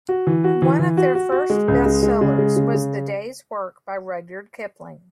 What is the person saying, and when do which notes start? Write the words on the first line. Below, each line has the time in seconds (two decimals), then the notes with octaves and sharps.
One of their first bestsellers was "The Day's Work" by Rudyard Kipling.
0.09 F#4
0.27 E3
0.44 F#4
0.62 E3
0.79 E3
0.97 F#4
1.15 F#4
1.32 F#4
1.50 G#3
1.68 C#2
1.86 G#3
2.03 G#3
2.21 C#3
2.38 G#3
2.56 C#3
2.74 C#3